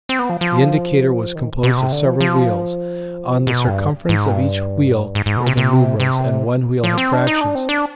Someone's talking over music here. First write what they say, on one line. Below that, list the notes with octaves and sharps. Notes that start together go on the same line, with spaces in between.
The indicator was composed of several wheels; on the circumference of each wheel were the numerals; and one wheel had fractions.
C4
B3
F3
F3
D#3
B2
C3
D3
F3
F3
B2
G2
G#2
G2
G#2
G#2
B2
C3
C3
C3
F3
C4
D4
D#4
D4
C4
D4